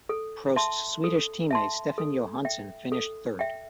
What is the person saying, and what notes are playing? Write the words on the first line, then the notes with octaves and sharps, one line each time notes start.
Prost's Swedish team mate Stefan Johansson finished third.
A4
E5 A5 C6
A4
E5 A5 C6
A4
E5 G5
A4
E5 G5